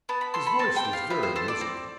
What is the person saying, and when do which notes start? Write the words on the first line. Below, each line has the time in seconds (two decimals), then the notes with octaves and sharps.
His voice was very musical.
0.09 B3 A5
0.21 B5
0.34 A4 C6
0.47 B5
0.59 C4 A5
0.76 G5
0.85 G4
0.93 F5
1.10 B3 E5
1.23 C5
1.36 A4 C5
1.48 D5
1.61 C4